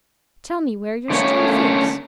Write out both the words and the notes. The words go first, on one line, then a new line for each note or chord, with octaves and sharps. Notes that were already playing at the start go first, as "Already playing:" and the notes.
Tell me where your strength is.
D3 A3 A#3 C#4 C#5